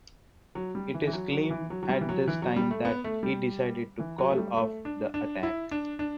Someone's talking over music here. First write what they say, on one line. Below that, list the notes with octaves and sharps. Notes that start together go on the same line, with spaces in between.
It is claimed at this time that he decided to call off the attack.
F#3
G3
E3
E3
F#3
F#3
E3
F#3
F#3
G3
E3
F#3
E3
F#3
G3
A3
B3
A3
G3
E3
F#3
A3
G3
A3
D4
D4
E4
D4
D4